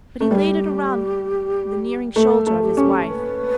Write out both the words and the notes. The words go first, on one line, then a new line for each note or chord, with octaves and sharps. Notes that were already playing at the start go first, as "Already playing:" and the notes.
But he laid it around the nearing shoulder of his wife.
A3
G3 G4 A4
A3 A4
A3
G4
C#4
B4